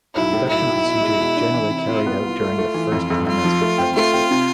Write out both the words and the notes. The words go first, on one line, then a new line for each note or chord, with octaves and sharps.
The reduction procedure is generally carried out during the first trimester of pregnancy.
B1 E4
A2
B1 E4
B1
B2
G#3
B2
D4
E3
C3
C3 F4
B3
C2
A3
A3
E3
F2
F2
F2 F4
F3
A3
C4
A3 F4
C4
C3